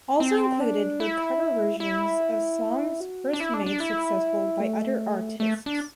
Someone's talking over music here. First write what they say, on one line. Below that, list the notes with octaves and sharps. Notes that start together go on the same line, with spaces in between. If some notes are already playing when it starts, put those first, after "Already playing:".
Also included were cover versions of songs first made successful by other artists.
C4
D4
E4
E4
F#4
D4
E4
D4
D4
E4
A3
A3
D4